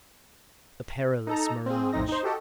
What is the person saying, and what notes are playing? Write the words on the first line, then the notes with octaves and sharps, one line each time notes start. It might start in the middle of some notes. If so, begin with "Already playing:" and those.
A perilous mirage!
D#4 A4 A#5
C4 G#4
A#1 F2 A2 C4 D#4 A#6
D#4 C5
F#4 G4 A4 D#5